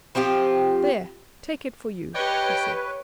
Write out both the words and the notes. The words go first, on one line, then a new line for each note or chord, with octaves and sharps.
"There, take it for you," he said.
F3 C4 F4 G4
G4 B4 C#5 D#5 G5